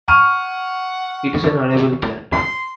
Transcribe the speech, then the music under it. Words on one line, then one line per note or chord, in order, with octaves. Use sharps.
It is an arable plant.
F#5 C#6 F6 D#7
C6